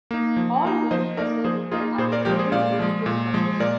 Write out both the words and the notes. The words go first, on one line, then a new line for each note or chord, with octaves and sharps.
All routes are serviced by accessible low floor buses.
A#3 D#4
F3
A#3 D#4
F3 C5 D#5
A#3 D#4 A#4 D5
F3 G#4 C5
A#3 D#4 F4 G#4
A#2 G#4 C5
A#4 D5
F3 G#3 G4 A#4
G#4 C5
A#2 D5 F5
F3 G#3
A#2
F3 G#3
A#2 A#4 D5